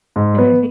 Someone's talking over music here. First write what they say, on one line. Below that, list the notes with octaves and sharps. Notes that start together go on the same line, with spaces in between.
And I think
G#2
B3